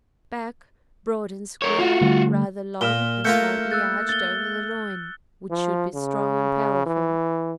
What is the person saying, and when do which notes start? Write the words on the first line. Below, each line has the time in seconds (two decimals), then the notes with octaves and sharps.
BACK--Broad and square, rather long and slightly arched over the loin, which should be strong and powerful.
1.62 A#4 C#5
1.79 F4 F#4
2.01 D3 G3 A3
2.81 A#2 F6 E7 G7
3.25 A3 A#3 F4 F#6 G6 C#7
3.72 E6 F#6 A6
4.09 A6 G7
5.51 F3
5.95 C#3
6.86 E3